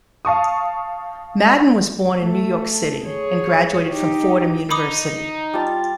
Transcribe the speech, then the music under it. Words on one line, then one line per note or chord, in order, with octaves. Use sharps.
Madden was born in New York City and graduated from Fordham University.
F5 A5 C#6 D#6
A3
G#4 C#5
D#4 G4
D#4 B5 D6 D#6
G3 F4 A5